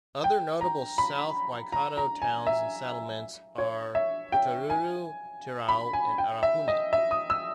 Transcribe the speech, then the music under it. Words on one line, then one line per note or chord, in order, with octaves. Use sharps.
Other notable South Waikato towns and settlements are Putaruru, Tirau and Arapuni.
G5
A#5
B5
A#5
A#5
G#5
E5
C#5
E5
G5
G#5
B5
G#5
G5
E5
D#5
E5
D#6
E6